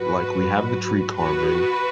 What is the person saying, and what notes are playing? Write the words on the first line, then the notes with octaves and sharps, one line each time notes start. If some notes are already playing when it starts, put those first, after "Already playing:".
like, we have the tree carving.
Already playing: G#2 F#3 F#4 B4
F#4 B4